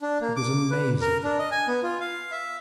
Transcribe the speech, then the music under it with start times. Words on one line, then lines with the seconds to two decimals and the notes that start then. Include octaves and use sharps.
It was amazing.
0.02 D4
0.21 A#3
0.36 D6
0.71 B4
1.01 A#4
1.23 D4
1.39 D#5
1.51 G#5
1.68 B3
1.83 F4
2.00 F5
2.32 E5